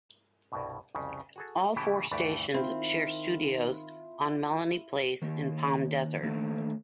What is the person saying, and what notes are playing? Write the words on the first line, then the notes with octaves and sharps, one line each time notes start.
All four stations share studios on Melanie Place in Palm Desert.
C2 G2 B2
C2 F2 C#3
F#4 G#4 A4
A2 C#3 E3 A3 E4 G4
D2 G2 E3 A3 G4 D5
D#3 C4 E4 F4
D#3 A#3
D#3 A3 A#3 D4